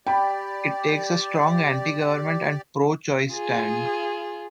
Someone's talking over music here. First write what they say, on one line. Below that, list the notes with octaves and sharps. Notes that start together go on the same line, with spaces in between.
It takes a strong anti-government and pro-choice stand.
G4 D5 G5 B5
F4 G#4